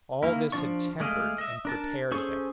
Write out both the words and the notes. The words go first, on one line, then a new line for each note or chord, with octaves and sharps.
All this had tempered and prepared him.
D#3 A#3 E4
F3 D4 D5 C#6
G#3 A3 D5 D#5 F5
D#5 E5
D4 A#4 A5
C#4 G#4 A4 C5 C#6